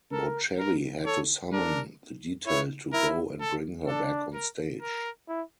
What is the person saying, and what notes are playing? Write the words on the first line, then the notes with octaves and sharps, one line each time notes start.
Bocelli had to summon the detail to go and bring her back on stage.
A4 A#4
A#4
A4 C#5
D4 A#4
E4 C#5
E4 A#4
A4
D4 A4
A#4
A#4
E4